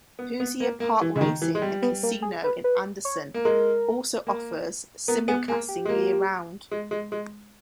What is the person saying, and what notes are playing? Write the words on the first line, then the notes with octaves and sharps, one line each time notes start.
Hoosier Park Racing and Casino in Anderson also offers simulcasting year-round.
B3
B3
A#3
A#3
E3
C#3
D#3
E3
G#3
G3
B3
A#3
G#4
B4
B4
C#5
A#3
G#3 A#4
A#3
B3 A#4
B3 G#4
A#3 G#4
G4
G#3
A#3
G#3
G#3
G#3